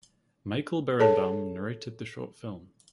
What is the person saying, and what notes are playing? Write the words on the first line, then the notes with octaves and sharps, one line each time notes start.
Michael Berenbaum narrated the short film.
G#4 A4 C#5 A5